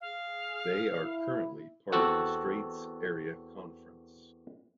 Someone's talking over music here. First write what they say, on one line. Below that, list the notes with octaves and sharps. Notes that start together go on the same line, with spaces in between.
They are currently part of the Straits Area Conference.
G#4 F5
E4
E2 C4 F#4 A4 F#5